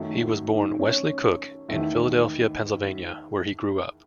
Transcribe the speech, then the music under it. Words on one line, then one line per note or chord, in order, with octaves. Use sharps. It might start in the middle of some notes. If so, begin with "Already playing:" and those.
He was born Wesley Cook in Philadelphia, Pennsylvania, where he grew up.
Already playing: F#2 D#3 F#3 A3
F#4
D#4
C#4
E2 D#3 A3 E4